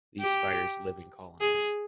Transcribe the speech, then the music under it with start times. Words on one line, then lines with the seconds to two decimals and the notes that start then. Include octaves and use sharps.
These spiders live in colonies.
0.21 G4
1.41 G#4